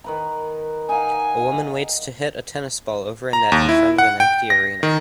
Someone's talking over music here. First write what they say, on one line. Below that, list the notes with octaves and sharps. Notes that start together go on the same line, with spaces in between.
A woman waits to hit a tennis ball over a net in front of an empty arena.
D#3 B4 A#5
D#4 F5 F#5 G#5
A#5
D#2
E4
F#5
G5
A#6
D#3